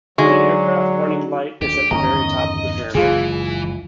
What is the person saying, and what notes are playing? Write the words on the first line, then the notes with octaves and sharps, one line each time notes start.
The aircraft warning light is at the very top of the pyramid.
D3 F#3 G#3 D#4 F#4 D5 C#6
D2 G4
G1 E2 D#3 C#4 D#5 A#5
F#1 C#2 E3 F4 G#4